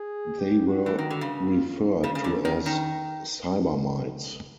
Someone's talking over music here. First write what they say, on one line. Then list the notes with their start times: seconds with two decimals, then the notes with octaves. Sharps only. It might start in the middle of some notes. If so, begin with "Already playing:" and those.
They were referred to as cybermites.
Already playing: G#4
0.39 G4
0.67 F#4
0.86 E3
0.94 D#3 F#4
1.10 D3
1.21 C#3
1.48 F4
2.04 C#3 C#4
2.15 C#3
2.24 D3
2.45 D#3
2.66 D#3